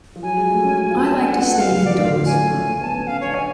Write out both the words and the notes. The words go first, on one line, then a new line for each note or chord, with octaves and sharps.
I like to stay indoors.
F3
F#3 G#5
G#3
A3
C#4
F#4
F4
F4 A5
D4 G#5
B3 F#5
A3
F#5
F#3 F5
C#3
D5
A2 F5
D3
F3
F#3 G#5
A3
C#4
A3
B3 A5
B3 G#5
C#4 F5
C#5
D4
G#5